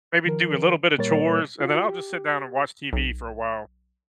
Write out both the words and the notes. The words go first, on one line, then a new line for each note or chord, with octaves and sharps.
maybe do a little bit of chores, and then I'll just sit down and watch TV for a while.
D#3 F3 A#4
A#2 G3 A#3 A#4 C#5 A6
F4 F#4
G4
B1